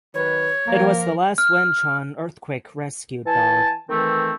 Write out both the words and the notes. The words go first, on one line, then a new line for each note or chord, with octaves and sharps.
It was the last Wenchuan earthquake rescue dog.
D#3 F#3 B4 C#5
F3 A#3 A#4
F6
E3 G#5 A5
D#3 E3 A3 C4